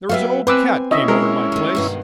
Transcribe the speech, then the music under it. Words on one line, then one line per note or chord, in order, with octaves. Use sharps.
There was an old cat came over to my place.
F#3 B3 G4 E5 F5
C4 B4 G#5 D6 E6
C#4 E4 D#5 E5
G#3 A#4
D#3 A3
G2 B2 D#3